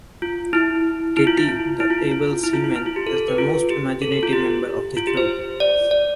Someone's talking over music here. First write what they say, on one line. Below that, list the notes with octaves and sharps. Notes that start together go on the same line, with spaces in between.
Titty, the "able seaman", is the most imaginative member of the crew.
F4
E4
E4
F4
E4
F4
E4
F4
F4
E4
F4
F4
E4
F4
G4
A4
A4
B4
F4
G4
A4
A4
F4
G4
F4
G4
C5
D5
D5